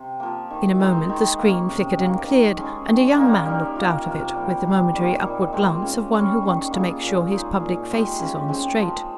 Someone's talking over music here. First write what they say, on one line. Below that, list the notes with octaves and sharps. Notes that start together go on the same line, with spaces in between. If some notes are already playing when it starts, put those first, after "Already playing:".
In a moment, the screen flickered and cleared, and a young man looked out of it, with the momentary upward glance of one who wants to make sure his public face is on straight.
Already playing: C3
F3 A#3
D#3
G#3 C4 D#4
D#3
A#3 C#4
C3
D#3 A#3
D#3
G#3 C#4 G#4
D#3
G3 A#3 D#4
G3
A#3 F4
C3
G3 A#3
C3
D#3 G3 A#3
A#2
G#3 C4
C#3
G3 C#4
D#3
A#3 F4 G#4
A#2
G#3 D#4 G#4
A#2
G#3 D#4 G4
C#3
G#3 C4
F3